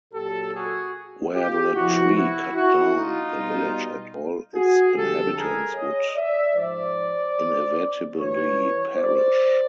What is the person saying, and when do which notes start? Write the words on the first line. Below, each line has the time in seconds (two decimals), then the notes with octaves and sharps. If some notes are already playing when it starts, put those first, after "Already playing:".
Were the tree cut down, the village and all its inhabitants would inevitably perish.
0.14 A#2 F#3 G4 A4
0.54 F#4 G#4
1.34 F4 G4
1.74 E2 C3 F3 E4 F#4
2.14 E4 F#4
2.54 E4 F#4
2.95 D#4 F4
3.35 B2 G3
4.55 F#4 G#4
4.95 F2 D3 G3 G4 A4
5.35 G#4 A#4
5.75 C#5 D#5
6.15 D5 E5
6.55 G#2 F3 C5 D5
8.16 G2 E3 G3 B4 C#5
8.96 C5 D5